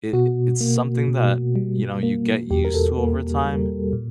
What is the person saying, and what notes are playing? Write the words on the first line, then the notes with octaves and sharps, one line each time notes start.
it it's something that, you know, you get used to over time,
B2 F#4
A#3
B2
G3
A#3
E2 G4
A#4
A4
A#3
G3
A#2